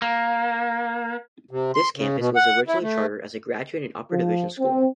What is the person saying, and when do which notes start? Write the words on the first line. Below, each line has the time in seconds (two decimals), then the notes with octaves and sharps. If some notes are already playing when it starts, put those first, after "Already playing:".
This campus was originally chartered as a graduate and upper division school.
0.02 A#3
1.51 C3
1.75 C6
1.97 C#3
2.19 B2
2.36 F#5
2.68 E4
2.82 A3
4.11 F3
4.59 C4